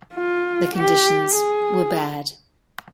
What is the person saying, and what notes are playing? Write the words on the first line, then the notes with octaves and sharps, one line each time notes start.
The conditions were bad.
F4
G4
G#4